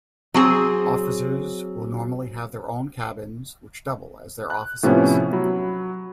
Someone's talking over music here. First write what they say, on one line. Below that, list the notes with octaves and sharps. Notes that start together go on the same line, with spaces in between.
Officers will normally have their own cabins, which double as their offices.
F#3 C4 G#4
F#6
A2 C3 F3 B3 C#4 E4
F#3 B5